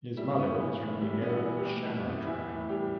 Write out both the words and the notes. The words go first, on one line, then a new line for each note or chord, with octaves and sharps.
His mother is from the Arab Shammar tribe.
G3 E4
B3
E3
A2
G3 E4
B3
F#4
E3
G4
A2
G3 E4
B3
E3 E4
A2
G3 G4